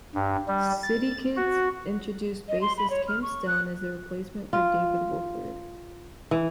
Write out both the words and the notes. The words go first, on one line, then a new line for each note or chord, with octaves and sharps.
"City Kids" introduced bassist Kim Stone as the replacement for David Wofford.
G2
G3
A6
F#4
D#5
C6
B5
C#5
F6
C#6
F#6
F4
E3